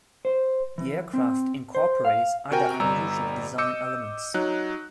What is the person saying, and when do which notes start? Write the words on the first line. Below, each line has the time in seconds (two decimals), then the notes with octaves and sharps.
The aircraft incorporates other unusual design elements.
0.25 C5
0.78 E3
1.14 C4
1.75 C5
2.05 F5
2.51 C3 F#4 A#4 G5 G#5
2.80 G1 G3 A#5 E6
3.58 D#5 D6 E6 G6 C#7
4.34 F#3 D#4 F#6